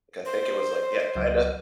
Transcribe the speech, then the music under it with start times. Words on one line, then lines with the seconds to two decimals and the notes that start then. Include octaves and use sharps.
I think it was, like yeah, kinda
0.25 C5
1.16 C#2 F#3